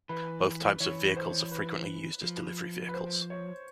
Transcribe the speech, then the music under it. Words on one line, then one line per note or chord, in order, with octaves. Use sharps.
Both types of vehicles are frequently used as delivery vehicles.
E3 B4
E3 C#5
C5
B4
F3
B4
C5
C#5